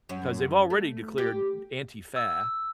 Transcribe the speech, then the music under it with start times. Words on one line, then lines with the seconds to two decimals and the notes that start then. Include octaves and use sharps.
'Cause they've already declared Antifa,
0.09 F#2
0.70 A3
1.18 G4
2.16 E6